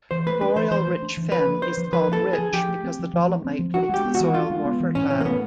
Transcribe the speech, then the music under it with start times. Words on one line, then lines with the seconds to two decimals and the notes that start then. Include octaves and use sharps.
Boreal rich fen is called "rich" because the dolomite makes the soil more fertile.
0.11 E3 C5
0.26 A3 B4
0.41 D4 B4
0.56 E3 C5
0.71 E3 C5
0.87 A3
1.02 D4
1.17 E3
1.32 F3 B4
1.48 A#3
1.62 D4 C5
1.77 F3
1.92 F3 B4
2.08 A#3 A4
2.23 D4
2.33 F3 G#4
2.53 F3 G4
2.69 A3
2.84 C4
2.99 F3
3.13 F3
3.29 A3
3.44 C4
3.59 F3
3.74 D4 F#4
3.89 G#3 G4
4.04 B3
4.15 F#4
4.20 E3
4.34 D4 F4
4.50 G#3
4.65 B3
4.80 E3
4.95 A2 C#4
5.10 E3 C#4
5.21 A#3
5.25 A3 B3